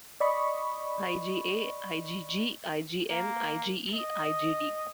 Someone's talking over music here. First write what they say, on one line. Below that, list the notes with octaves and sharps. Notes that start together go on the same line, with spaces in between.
IgA, IgG, IgM, IgE, IgD.
D5 D#5 B5 C#6
A#3
D#5